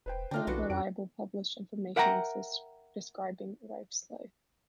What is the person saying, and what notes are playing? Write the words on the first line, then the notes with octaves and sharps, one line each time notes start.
Little reliable published information exists describing Rife's life.
E1 B4 C5 G5
D3 D4 D#4 F4 G5 A5 F6
B1 E3 D4 F#4 A4 B4
F2 C#4 F#4 D7
A#4 E5 F#5 G5 A5 A#5